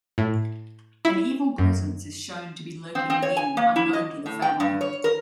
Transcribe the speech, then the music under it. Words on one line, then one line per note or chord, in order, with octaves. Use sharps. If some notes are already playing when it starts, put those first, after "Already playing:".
An evil presence is shown to be lurking within, unknown to the family.
A2
E4
F#2
C4
C4
C#5
G#5
A#3
E4
D#5
A2
G5
G2
C#5
A#4